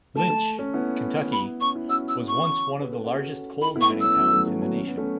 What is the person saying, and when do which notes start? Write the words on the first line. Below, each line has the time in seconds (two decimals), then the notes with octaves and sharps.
Lynch, Kentucky, was once one of the largest coal mining towns in the nation.
0.15 A3 A5
0.30 A3
0.59 A3 C#4
0.74 B3 E4
1.31 B5
1.60 C#4 C#6
1.75 E4
1.88 C#4 F#4 E6
2.08 E6
2.27 C#6
2.81 B4
2.93 A4
3.04 C#4 F#4
3.61 E4 A4 B5
3.76 B3 E4 C#6
3.90 A3 C#4
4.00 A3 C#4 E6
4.14 C#4
4.19 F#3 B3
4.33 A3
4.47 A3
4.62 F#3 B3
4.76 C#4
4.87 B3
4.98 A3 C#4